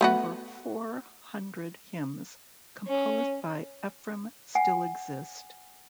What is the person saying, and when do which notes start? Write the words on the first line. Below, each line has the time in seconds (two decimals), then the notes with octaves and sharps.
Over four hundred hymns composed by Ephrem still exist.
0.01 A3 B3 F#4
2.88 C#4
4.55 F#5 G#5